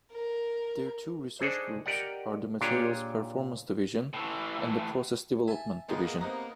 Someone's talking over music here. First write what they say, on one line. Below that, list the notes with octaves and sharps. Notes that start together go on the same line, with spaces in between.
Their two research groups are the Materials Performance Division, and the Process Development Division.
A#4
D4 D#4 G#4 A4 C5
G4 A#4 D5 D#5 F#5
A#2 D4 G4 G#4 C#5
A2 E3
E5 G#5 A5
D#3 G#3 A#3 B3 F4 D#5
C3 A#3 D#4 F#5 A#5